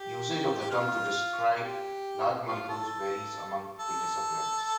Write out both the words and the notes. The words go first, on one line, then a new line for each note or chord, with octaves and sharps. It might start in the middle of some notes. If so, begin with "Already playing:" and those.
Usage of the term to describe large molecules varies among the disciplines.
Already playing: G4
G4
F4
G4
F4
A4
A4